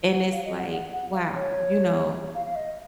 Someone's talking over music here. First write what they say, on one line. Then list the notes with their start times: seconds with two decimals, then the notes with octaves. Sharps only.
and it's like, "Wow," you know,
0.11 F#5
0.31 F5
0.45 D#5
0.59 F#5
0.72 F#5
0.93 F#5
1.13 F5
1.34 C#5
2.35 F5
2.46 F5
2.55 D#5